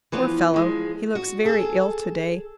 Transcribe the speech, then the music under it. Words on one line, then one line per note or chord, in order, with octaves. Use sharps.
Poor fellow, he looks very ill to-day.
E3 F3 B3
F3 G#3
F#4
G#4 A4